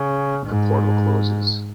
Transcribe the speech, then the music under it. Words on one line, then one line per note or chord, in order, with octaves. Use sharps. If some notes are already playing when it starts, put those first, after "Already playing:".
The portal closes.
Already playing: C#3
G#2